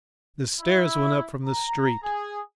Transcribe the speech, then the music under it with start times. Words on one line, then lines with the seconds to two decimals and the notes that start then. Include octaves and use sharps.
The stairs went up from the street.
0.60 E4
1.44 A#5
2.03 G#4